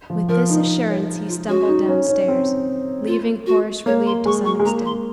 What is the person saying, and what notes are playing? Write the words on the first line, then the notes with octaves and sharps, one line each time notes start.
With this assurance he stumbled downstairs, leaving Horace relieved to some extent.
F3
F3 A#4
D#4
C#5
F4
C#4 F#4
D#4
C#4
C#4
C4
F4
F#4
A#3 C#5
C6
G#3 C#6
C#6
G#3
A#3 A#5
C6